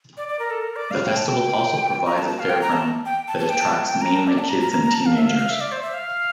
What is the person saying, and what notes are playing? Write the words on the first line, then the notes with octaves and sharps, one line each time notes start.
The festival also provides a fairground that attracts mainly kids and teenagers.
D5
D5
A#4
A4
A#4
D5
F5
G5
A5
G5
A#5
A5
A5
F5
G5
A#5
A5
G5
A5
A5
G5
A5
G5
A#5
A5
D5
A5
A#5
A#5
A#5
A#5
A5
F5
E5
F5
F5
E5
D5
C5
E5
F5